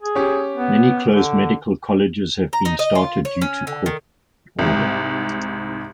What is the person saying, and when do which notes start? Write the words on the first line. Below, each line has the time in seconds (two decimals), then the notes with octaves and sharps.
Many closed medical colleges have been started due to court order.
0.02 G#4
0.15 C#4 G4
0.54 B3
1.13 D3
2.53 A#5
2.65 D#4
2.79 D#5
2.95 F4
3.25 C#5
3.42 C#4
3.67 D3
3.86 D#3
4.59 C2 G#2